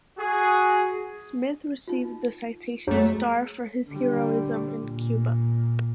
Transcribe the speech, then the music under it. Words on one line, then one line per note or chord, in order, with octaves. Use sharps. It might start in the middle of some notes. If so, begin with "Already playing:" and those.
Smith received the Citation Star for his heroism in Cuba.
F#4 G#4
D#4 F4
F#2 A3 G#4 C#5 A#5
D3 G3
A#2